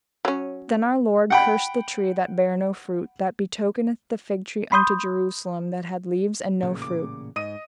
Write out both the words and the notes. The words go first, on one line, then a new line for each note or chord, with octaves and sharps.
Then Our Lord cursed the tree that bare no fruit; that betokeneth the fig tree unto Jerusalem, that had leaves and no fruit.
F#3 C#4
F#5 G5 B5
B5 C6 D#6 G6
A1 A#2 C#3
D6
G#2 D#5 D#6 D#7